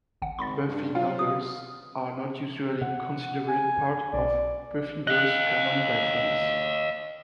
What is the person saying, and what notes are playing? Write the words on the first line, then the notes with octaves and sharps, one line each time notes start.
Buffy novels are not usually considered part of Buffyverse canon by fans.
G#1 F#5
G#1 B5 C6 A6
G2
F#3 F4 F5
D#6
C3 F#5
G#5
B1 D5
D#5 F5 F#6